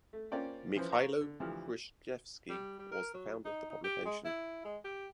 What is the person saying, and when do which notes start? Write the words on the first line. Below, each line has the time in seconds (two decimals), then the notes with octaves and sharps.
Mykhailo Hrushevsky was the founder of the publication.
0.13 A3
0.32 A#3 C#4 F4 C5 D5 G5
0.76 E3 F3 C#4 B4 C5
0.90 C5 F5 A#5 C#6
1.21 D3
1.40 D2 E3 F3 G4 F6
2.49 G3
2.79 G3
2.91 A#4
3.14 F#3
3.45 D#4
3.70 D#4
3.84 G4
4.05 G#3
4.25 E4
4.65 G#3
4.85 G4